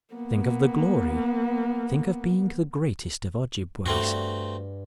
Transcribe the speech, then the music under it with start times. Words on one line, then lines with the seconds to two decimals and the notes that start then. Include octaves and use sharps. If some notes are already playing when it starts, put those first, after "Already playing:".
Think of the glory, think of being the greatest of Ojibways.
0.14 A#3 B3
3.86 G2 A3 C4 F#4